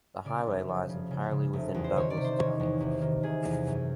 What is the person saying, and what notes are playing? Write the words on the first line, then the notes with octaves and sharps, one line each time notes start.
The highway lies entirely within Douglas County.
C#3 D5
F1
F3
C#3
C#3
C#3
F1
E2
C5
D#3 C#5
D5
C3
C5
D#3 C#5
E2
C3
D#3
C3 G#4
E2
F#2